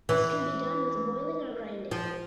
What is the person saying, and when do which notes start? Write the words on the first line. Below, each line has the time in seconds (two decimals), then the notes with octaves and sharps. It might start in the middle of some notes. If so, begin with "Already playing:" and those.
This can be done with boiling or grinding.
0.09 E3
1.91 F3